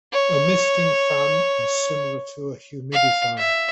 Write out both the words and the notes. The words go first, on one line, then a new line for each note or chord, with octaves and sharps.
A misting fan is similar to a humidifier.
C#5
F5
E5